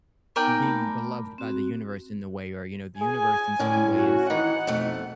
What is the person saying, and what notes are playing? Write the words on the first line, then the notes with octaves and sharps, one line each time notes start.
I'm being beloved by the universe in the way, or, you know, the universe in some way is
B3 D#4 A#4 D5 G5 G#5
A3 A5 B5
C4 F#4
G#4 G#5
A2 D3 C#4
F#4
D#3 E3 D#4 F#5
F2 B2 A3